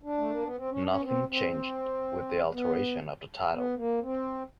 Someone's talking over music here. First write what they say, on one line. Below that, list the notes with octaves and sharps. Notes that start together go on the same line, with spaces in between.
Nothing changed with the alteration of the title.
D4
A3
A#3
B3
C4
C#4
D4
C#4
B3
C4
C4
B3
B3
A#3
C4